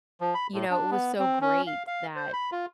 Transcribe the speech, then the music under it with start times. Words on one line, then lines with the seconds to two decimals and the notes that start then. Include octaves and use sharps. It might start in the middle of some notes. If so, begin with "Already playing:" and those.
you know, it was so great that
0.21 F3
0.34 B5
0.54 A2
0.70 D4
0.91 B3
1.19 C4
1.41 C#4
1.67 F5
1.87 F5
2.16 C5
2.33 B5
2.52 F4